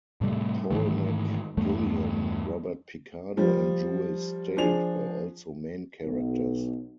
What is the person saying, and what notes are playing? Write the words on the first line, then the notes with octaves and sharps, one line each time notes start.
Paul McGillion, Robert Picardo and Jewel Staite were also main characters.
A2 C3 G3 A3
G#2 D#3 E3 A3
E2 G2 A3
F3 G3
F3 D4 G#4 F7
B1